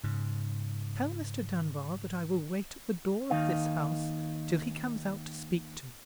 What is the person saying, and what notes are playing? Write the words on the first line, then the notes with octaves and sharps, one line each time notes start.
Tell Mr. Dunbar that I will wait at the door of this house till he comes out to speak to me.
G#2 C#3
D#2 D#3 D#4 F5